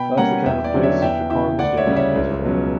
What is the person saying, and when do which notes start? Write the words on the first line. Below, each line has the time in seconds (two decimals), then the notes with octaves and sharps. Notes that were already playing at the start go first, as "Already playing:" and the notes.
That's the kind of place Chicago Stadium is right now!
Already playing: B2 G5 B5
0.17 G3 A#3 C#4 F#5 A#5
0.46 E2 E5 G5
0.64 D5
0.74 D3 F#3 C#4
0.83 C#5 E5
1.02 E2 E5 G5
1.30 C#3 E3 E5 G5
1.59 D2 D5 F#5
1.77 C#5 E5
1.87 C#3 G3 C#4
1.96 C#5 E5
2.16 C#2
2.44 B2 F#3 C#4